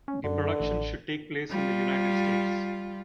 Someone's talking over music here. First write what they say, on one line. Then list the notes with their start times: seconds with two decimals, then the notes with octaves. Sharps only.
The production should take place in the United States.
0.08 C#4
0.24 F#2 D3
0.60 A1
1.50 G3 F4